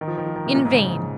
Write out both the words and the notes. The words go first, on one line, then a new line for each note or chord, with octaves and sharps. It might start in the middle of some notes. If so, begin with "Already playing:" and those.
In vain!
D#3
F3
D#3
F3
D#3
C3
A#2
G#2
C#3